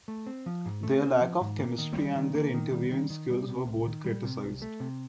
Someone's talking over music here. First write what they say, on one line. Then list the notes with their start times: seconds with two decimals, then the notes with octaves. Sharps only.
Their lack of chemistry and their interviewing skills were both criticized.
0.08 A3
0.26 C4
0.46 F3
0.65 G#2
0.83 A3
1.02 C4
1.21 F3
1.41 G#2
1.59 A#3
1.78 D#3
1.97 G3
2.15 D#3
2.35 A#3
2.54 D#3
2.72 G3
2.91 D#3
3.10 D#3
3.30 G3
3.49 C3
3.67 C2
3.86 D#3
4.04 G3
4.24 C3
4.42 C2
4.62 A3
4.80 C3